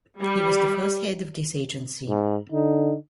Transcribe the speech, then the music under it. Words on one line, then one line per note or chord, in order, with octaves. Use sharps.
He was the first head of this agency.
G3
G#2
D3 D#4